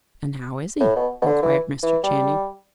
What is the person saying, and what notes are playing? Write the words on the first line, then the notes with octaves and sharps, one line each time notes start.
"And how is he?" inquired Mr. Channing.
A2
B2
B2
D3
E3
E3
G3